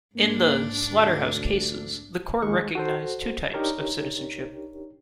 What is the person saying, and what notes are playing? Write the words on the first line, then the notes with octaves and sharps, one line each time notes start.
In the "Slaughter-House Cases" the court recognized two types of citizenship.
G#2 A#3 D4
D2
D#2 G#3 C#6
F#4 A4 C5
D4 D#4 G4 A#4 C#5